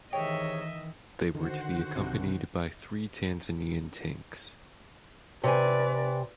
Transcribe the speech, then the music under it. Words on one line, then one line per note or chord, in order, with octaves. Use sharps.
They were to be accompanied by three Tanzanian tanks.
C3 D#3 E3 G#3 C#5 D#5 E5 G5
D3 D#3 F#4 C5 F#5
B1 C3
C3 B4 D5 G#5